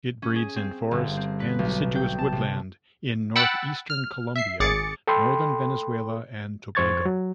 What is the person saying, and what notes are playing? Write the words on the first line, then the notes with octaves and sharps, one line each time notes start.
It breeds in forest and deciduous woodland in northeastern Colombia, northern Venezuela and Tobago.
C#4
G#4
C4
G1
C4
B4
B1
G5
A5
C3
F#5 G5 B5 E6 F#6 A6
F6
E5 C7
G#1 G#4 D6 A6 C#7
A4 G5 B5 C6
F2 C5 C#6 G#6 A6
F#3